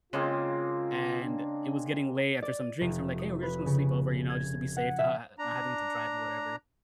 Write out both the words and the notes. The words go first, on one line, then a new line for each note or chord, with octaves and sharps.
and it was getting late after some drinks. I'm like, "Hey. We're just gonna sleep over, you know, just to be safe, to ha ha not having to drive or whatever,"
C#3 G#3 A#3 C4 F4
D4
D5
D#7
F1
D#6
B4
C#3
G#6
F#5
E5
D4 A#5